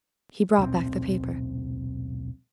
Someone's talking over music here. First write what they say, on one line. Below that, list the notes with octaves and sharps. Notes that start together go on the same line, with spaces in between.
He brought back the paper.
D#1 B1 A2 C4